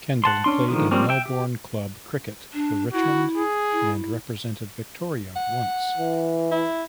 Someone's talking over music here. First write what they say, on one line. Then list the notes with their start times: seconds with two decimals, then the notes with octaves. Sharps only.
Kendall played in Melbourne club cricket for Richmond, and represented Victoria once.
0.24 F#5 A5 C6
0.44 C#4 D4 C6
0.68 D3 D#3 F3 G#3
0.91 F3 G3 A#3 C4 C#4
1.09 E5 G5
1.26 G4
2.54 D4
2.93 E4 F#4
3.37 G#4
3.72 E4
5.36 F#5
5.97 E3
6.51 E4